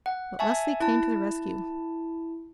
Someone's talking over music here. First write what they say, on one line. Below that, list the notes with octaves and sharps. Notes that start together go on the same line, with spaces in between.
But Leslie came to the rescue.
F#5
E5 G#5 A5 C#6
E4 A5